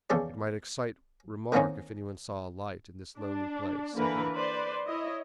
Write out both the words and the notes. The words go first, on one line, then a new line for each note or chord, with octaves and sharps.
"It might excite remark if anyone saw a light in this lonely place," said he.
E2 C#3 A4 D5
D3 D#3 A#3 C4 C#4 D#4
D4
D3 E3 A#3 A#4 B4
B4 C5 D5 C6
E4 C#5 D#5